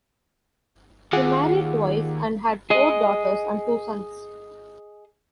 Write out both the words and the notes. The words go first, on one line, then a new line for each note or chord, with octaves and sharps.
He married twice and had four daughters and two sons.
D#2 F4 G#4 F#5
G#4 D#5